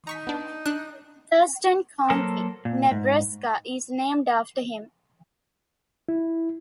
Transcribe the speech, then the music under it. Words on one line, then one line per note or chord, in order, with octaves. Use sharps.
Thurston County, Nebraska is named after him.
D#4 A#5 C#6 B6
B3 D4
D4 F#6
F#3 A#3 A4 A#4 C5
A#2
G#2
E4